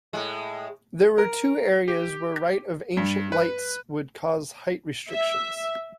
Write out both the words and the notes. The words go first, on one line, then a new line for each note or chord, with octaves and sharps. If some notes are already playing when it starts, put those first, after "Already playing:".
There were two areas where right of ancient lights would cause height restrictions.
A2 G#3
A#4
G4
G2
B4
E5